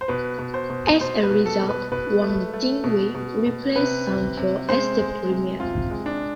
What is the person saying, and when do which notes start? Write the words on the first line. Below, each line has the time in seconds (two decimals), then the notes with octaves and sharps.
As a result, Wang Jingwei replaced Sun Fo as the Premier.
0.01 C5
0.08 B2 B4
0.39 B2
0.54 C5
0.70 B2
1.00 B2 C5
1.23 B4
1.30 B2
1.46 A4
1.62 B2
1.69 B4
1.92 B2 B4
2.22 A3
2.53 A3
2.84 B2
3.15 B2
3.46 B2
3.76 C3 B4
4.07 C3
4.37 C3
4.69 G#3 C5
4.98 G#3
5.29 C3
5.59 C3 F4
5.90 G#3
6.06 D4